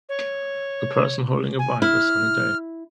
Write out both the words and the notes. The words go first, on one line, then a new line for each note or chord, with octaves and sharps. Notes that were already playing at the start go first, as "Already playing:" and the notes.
A person holding a bike a sunny day.
C#5
G#5
E4 F6